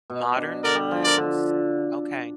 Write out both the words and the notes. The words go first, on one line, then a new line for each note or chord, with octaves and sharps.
modern times? Okay.
B2
D4
D3 A#4 D5
F3
A#4 D5
D3